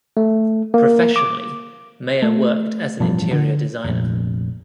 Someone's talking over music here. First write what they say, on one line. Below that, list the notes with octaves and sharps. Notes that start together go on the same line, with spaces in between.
Professionally, Mayer worked as an interior designer.
A3
A#3
D6
A3
A1 G2 B2 F3
D3
F1 A#1